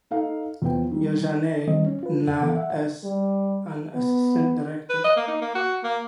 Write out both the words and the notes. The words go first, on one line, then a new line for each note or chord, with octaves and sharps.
Ya Jaane Na as an assistant director.
D#4 A4 F5
E2 F3 B3 G5
D#3 G3
D#3 G3 C4 D#5
C#4
F4 B4
F2 C#3 F#5
E3 B3 A4
E5 F#5
G3
B3
B4
D#5
A#3
D#4
A#3
F#4
A#3